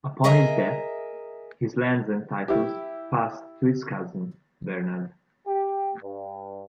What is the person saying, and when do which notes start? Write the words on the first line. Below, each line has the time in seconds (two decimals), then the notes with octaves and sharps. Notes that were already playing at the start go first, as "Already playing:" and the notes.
Upon his death, his lands and titles passed to his cousin, Bernard.
0.24 G#4 A#4 D#5 E5 G#5 A#5
2.48 E4 G4
5.47 G4
6.02 G2